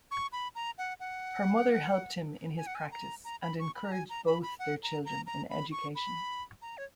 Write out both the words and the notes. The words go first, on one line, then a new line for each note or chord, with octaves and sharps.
Her mother helped him in his practice and encouraged both their children in education.
C#6
B5
A#5
F#5
F#5
G#5
F#5
G#5
A#5
A#5
B5
C#6
B5
A#5
G#5
A#5
B5
B5
F#5
A#5
A#5
A#5
B5
C#6
B5
A#5
C#5